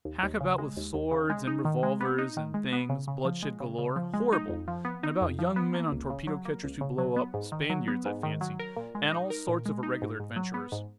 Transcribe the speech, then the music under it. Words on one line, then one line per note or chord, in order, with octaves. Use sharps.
Hack about with swords and revolvers and things--bloodshed galore--horrible!--and about young men on torpedo catchers who blow up--Spaniards, I fancy--and all sorts of irregular adventurers.
D#2
D#2
C#3
G#3
D#2
D#2
C#3
G#3
D#4
D#3
G#3
B3
D#4
D#3
G#3
B3
C#3
C#3
F3
G#3
C#3
C#3
F3
G#3
D#4
F2
F3
B3
D#4
F2
F3
B3
A#3
C#2
C#3
F#3
A#3
C#2
C#3
F#3
B3
G#2
D#3
F#3
B3
G#2
D#3
F#3
A#4
A#2
G#3
D#4
A#4
A#2
G#3
D#4
G#2
G#2
F#3
B3
G#2